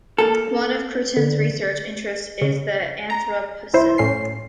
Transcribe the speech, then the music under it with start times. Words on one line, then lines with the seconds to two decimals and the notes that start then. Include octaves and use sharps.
One of Crutzen's research interests is the Anthropocene.
0.18 A#3 A4
1.17 D3
2.41 C#3
3.10 A#5
3.74 C2 E4 C5
3.98 A2 C#4 C7